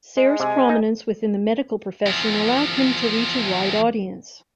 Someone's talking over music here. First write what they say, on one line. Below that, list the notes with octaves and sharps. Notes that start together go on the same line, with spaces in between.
Sayre's prominence within the medical profession allowed him to reach a wide audience.
G#3
C3 G#5
D#4
E2 F3